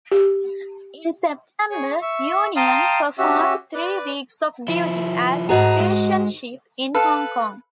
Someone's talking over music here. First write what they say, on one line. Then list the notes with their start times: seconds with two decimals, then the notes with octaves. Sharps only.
In September, "Union" performed three weeks of duty as station ship in Hong Kong.
0.12 G4
1.71 G#4 C#5 G#5 C#6
2.02 E5 C#6
2.56 F5 G5 A5 A#5 C6 D#6
3.18 C#4 F#4 G4 E5
3.74 B4 D5
4.68 F3 E4
5.49 G#2 F#4 G#4 A5 A#5
5.80 G#3
6.94 A4 B4 F5